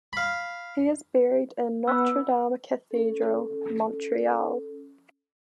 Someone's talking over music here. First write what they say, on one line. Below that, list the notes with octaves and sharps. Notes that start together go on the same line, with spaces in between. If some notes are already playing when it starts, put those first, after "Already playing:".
He is buried in Notre Dame Cathedral, Montreal.
F5 B5
B3 E6
C#4 A4